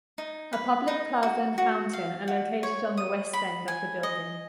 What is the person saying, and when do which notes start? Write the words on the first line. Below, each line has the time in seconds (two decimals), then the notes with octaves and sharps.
A public plaza and fountain are located on the west end of the building.
0.18 D#4
0.53 B4
0.88 D#4
1.23 F#4
1.58 F#4
1.93 F5
2.28 F#4
2.63 C#5
2.97 D#6
3.33 B5
3.68 G#5
4.03 D#5